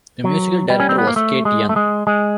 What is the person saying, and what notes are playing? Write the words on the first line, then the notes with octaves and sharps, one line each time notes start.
The Musical Director was Kate Young.
F#3
G3
C#4
C4
B3
A#3
A3
G#3
A3
G#3
G#3